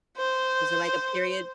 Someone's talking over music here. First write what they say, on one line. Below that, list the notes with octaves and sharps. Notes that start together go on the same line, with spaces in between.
Was it like a period
C5